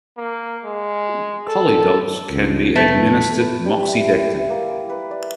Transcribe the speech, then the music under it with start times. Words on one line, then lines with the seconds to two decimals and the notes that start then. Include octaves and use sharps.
Collie dogs can be administered moxidectin.
0.17 A#3
0.64 G#3
1.48 A4
2.30 C#2
2.76 F1 A3 B3
3.40 B4
3.66 G3
3.88 E4
4.09 E4
4.50 A#3
4.70 D6
4.90 B4
5.11 D5